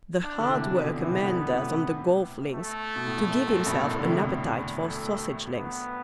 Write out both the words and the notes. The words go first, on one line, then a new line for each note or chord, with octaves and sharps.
The hard work a man does on the golf links to give himself an appetite for sausage links.
D4
D3
C3 E3
B2 D3
C3 E3 B3
B2 D3
B2
A2 C3
A3
B2
A2
G2
F#2
F#2 A2
G2 B2
F#2 A2
D3
A2 C3
E2
A3
B3